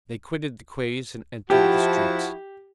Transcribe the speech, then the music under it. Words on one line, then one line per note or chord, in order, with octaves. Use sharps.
They quitted the quays and entered the streets.
F3 E4 F#4 G4